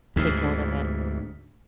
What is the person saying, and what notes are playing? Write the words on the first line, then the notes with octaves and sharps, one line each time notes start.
take note of it.
D2 G#2